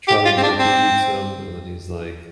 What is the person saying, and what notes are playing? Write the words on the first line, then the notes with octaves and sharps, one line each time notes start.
Charlie Murphy meets him and then he's like,
G4
F4
C4
D4
C4